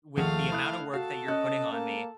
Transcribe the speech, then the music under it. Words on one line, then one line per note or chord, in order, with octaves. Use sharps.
with the amount of work that you're putting on me,
D#2 D#3 F3 A3 G#4 F5 F#5
E4 D#6 F#6
F#4 A4 F5
C#4 D#5 F#6
A#3